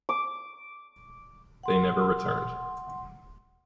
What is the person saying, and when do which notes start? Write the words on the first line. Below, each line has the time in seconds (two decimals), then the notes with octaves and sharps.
They never returned.
0.09 D6
1.63 F#5 C6